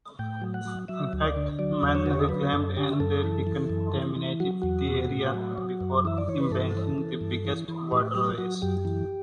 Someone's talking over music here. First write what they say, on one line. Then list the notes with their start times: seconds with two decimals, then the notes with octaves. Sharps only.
In fact, men reclaimed and decontaminated the area before embanking the biggest waterways.
0.19 A2 G5
0.42 F#3
0.54 F#5
0.65 F#3
0.88 F#3 E5
1.13 D2
1.24 D5
1.36 D3
1.59 F#3 D5
1.83 E2
1.88 D5
1.95 C#5
2.06 D3 F#4
2.14 G4
2.22 A4
2.29 F#3 B4
2.53 F#2 A4
2.76 D3 G4
3.00 F#2 A4
3.24 E3
3.47 E3
3.70 F#2
3.94 E3
4.16 E3
4.40 F#3 F#4
4.62 E2 F#4
4.87 B2
5.10 A2
5.34 F#3
5.58 F#3
5.81 F#2
6.05 E3 E5
6.18 D5
6.28 E3 C#5
6.41 B4
6.51 G2 A4
6.75 E3
6.98 E3
7.21 G2
7.45 E3
7.68 E3
7.91 A2 G4
8.15 F#3 G4
8.38 F#3 F#4
8.62 F#2 G4
8.85 E3